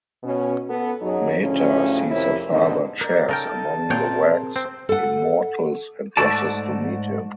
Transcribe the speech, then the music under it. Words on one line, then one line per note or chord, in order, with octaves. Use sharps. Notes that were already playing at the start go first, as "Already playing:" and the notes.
Meta sees her father Chas among the wax immortals and rushes to meet him.
B2 C#4
B3 A4
F#2 F#3 D#4 G#4 C#5
D2 A2 C#3 F3 C#4
F2 C3 E4 A#4 C#5
E2 G#2 B2 D3 C4 D#4
A#4 D5
C#3 D#4 A4 A#4 G5 A5 F6
A#2 C4 G#4 A#4 C#5 G5
C4 C5
A4 F#5
G#2 A3 F#4 A4 D5 A5